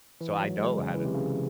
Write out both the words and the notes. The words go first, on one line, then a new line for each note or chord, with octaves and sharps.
So, I know how to
E3
F#3
G#3
C#3
E3
C3
C#3